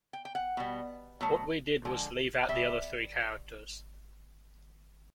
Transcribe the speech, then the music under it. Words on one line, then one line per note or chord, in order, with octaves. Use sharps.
What we did was leave out the other three characters.
G5
G5
F#5
B2 G3
B2 F#3 A3
D3 F3 G#3
B2 G3 E5